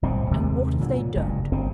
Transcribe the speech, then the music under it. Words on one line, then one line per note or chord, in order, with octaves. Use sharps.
"And what if they don't?"
D1 C2 B2 C4
D#2 C3 D#3 G#3
A#2 D3 F#3
A#2
F#1 C#2 G2 A#2
G1 C#3 C4